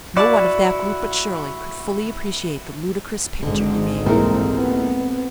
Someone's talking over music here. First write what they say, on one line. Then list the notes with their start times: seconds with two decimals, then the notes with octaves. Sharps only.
No one of that group but Shirley could fully appreciate the ludicrous picture he made.
0.17 E4 F#4 D5 A5
3.43 G#1 G#2 D3 G#3
4.06 C2 A#2 E3 C4 A4 A#4
4.56 B3